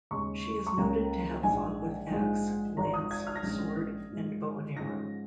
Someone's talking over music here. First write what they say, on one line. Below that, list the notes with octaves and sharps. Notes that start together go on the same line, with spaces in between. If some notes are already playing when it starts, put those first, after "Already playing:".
She is noted to have fought with ax, lance, sword, and bow and arrow.
D#2 C#3 G#3 C#4 C#6
C#6
C#2 C#3 A#3 C#4 A#5
A#1 G#2 G#3 G#5
A#1 G#2 F3 G#3
G#1 G#2 F3 A#5
D#6
G#6
F6
A#6
A#1 G#2 D#3 G#3 C#4 G#6
G#2 F3 G#3
G#2 F3 G#3 C#4 A#6